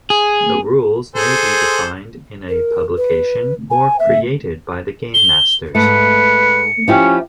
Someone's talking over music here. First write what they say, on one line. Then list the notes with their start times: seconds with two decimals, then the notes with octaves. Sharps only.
The rules may be defined in a publication or created by the gamemasters.
0.10 G#4
1.15 G#4 A4 C5
2.49 A#4
2.97 B4
3.70 G#5
3.99 E5
5.14 G7
5.75 G#2 A3 B4 C#7
6.88 F3 C#4 E4 G4